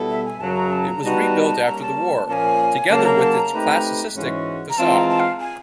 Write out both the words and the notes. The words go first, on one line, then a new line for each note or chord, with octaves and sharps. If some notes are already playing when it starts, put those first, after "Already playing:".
It was rebuilt after the war, together with its classicistic facade.
Already playing: B2 G3 B3 E4 A4
E5
G#5
F#2 C#3 F#3 A5
A#5
A5
A#5
G3 B3 D#4 F#4 B4 A5
G3 A#3 C#4 A#5
A5
A#2 F3 A#3 C#4 G#5 A5
C#3 F#3 A#3 A5
A#5
A5
A#5
A3 C4 D#4 G4 B4
G#2 E3 G#3 C#4 F#4
A#5
E3 G#3 C4 F4 A5
A#5
A5
F5
G#5